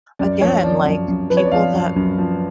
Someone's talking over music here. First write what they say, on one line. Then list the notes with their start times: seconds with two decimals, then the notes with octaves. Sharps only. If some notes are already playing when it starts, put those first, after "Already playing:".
Again, like, people that
0.19 F#2 D5
0.41 F3 C#5
0.63 F3 D5
0.85 F#2
1.08 F#2
1.30 F3 B4
1.37 C#5
1.45 D5
1.52 F3 F5
1.74 F#2
1.96 F#2
2.18 F3